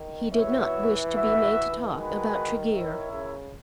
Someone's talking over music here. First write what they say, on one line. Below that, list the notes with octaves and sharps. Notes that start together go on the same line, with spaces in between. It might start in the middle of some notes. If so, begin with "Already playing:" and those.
He did not wish to be made to talk about Tregear.
Already playing: D#3
E3 B3 F#4 C#5 E5
F#4 B4 E5
D#3 G#3 D#4 F#4 B4
E4 A#4 C#5 E5
C#3